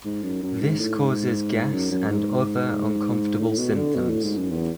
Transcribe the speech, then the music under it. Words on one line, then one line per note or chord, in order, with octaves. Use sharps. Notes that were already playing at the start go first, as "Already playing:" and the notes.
This causes gas and other uncomfortable symptoms.
G#2
F#2
F#2
G#2
A2
G#2
F#2
F#2
G#2
A2
B2
D3
B2
A2
G#2
F#2
E2